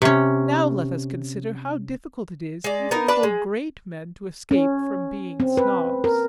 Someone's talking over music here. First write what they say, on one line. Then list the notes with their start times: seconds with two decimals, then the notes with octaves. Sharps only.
Now let us consider how difficult it is even for great men to escape from being Snobs.
0.02 C3 C#4
2.64 G#3 D5
2.91 B3 D#4 A#4
3.08 D4 B4 D5
3.23 G#3
4.51 C#4
5.40 C4
5.57 B4
6.04 A#4